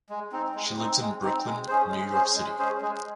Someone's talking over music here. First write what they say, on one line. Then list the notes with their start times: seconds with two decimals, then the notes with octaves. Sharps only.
She lives in Brooklyn, New York City.
0.10 G#3
0.32 C4 D#4
0.55 G#3
0.78 C4 D#4
1.00 G#3
1.23 C4 D#4
1.45 G#3
1.68 C#4 G#4 C5
1.90 G#3
2.12 C#4 G#4 C5
2.35 G#3
2.59 C#4 G#4 C5
2.81 G#3